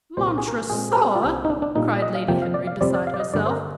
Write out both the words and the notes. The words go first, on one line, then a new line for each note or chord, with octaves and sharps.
"Montresor!" cried Lady Henry, beside herself.
C2 A#2 G3 C4 C5
A#4
G#4
A#4
A#2 G#3 C4 G#4
G4
F4
C2 C3 G3 C4 G4
D#4
D4
D4
A#2 G3 A#3 D#4
D#5
F5
F2 C3 F3 A#3 G5
F5
D5
F5
F2 C3 G3 C4 D5
D5
F5
D5
D#5
G2 D3 G3 A#3 D5
C5
A#4